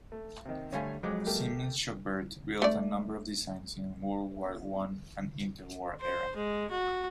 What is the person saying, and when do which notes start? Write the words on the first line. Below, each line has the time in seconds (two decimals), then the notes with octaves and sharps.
Siemens-Schuckert built a number of designs in World War One and inter-war era.
0.12 A3
0.45 C3 D#3
0.73 D3 G3 A3 C#5 F5 G#5
1.03 F2 F#3 G#3 D6
1.26 A3 A#3 G4
2.62 A3 D5
6.01 C5
6.36 G#3
6.71 F#4